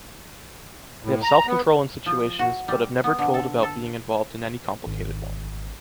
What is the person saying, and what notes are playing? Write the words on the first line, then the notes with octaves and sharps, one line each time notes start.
They have self-control in situations, but have never told about being involved in any complicated one.
A2
A#5
B3
F3
F#4
G3
B3
D3
A4
A4
G#1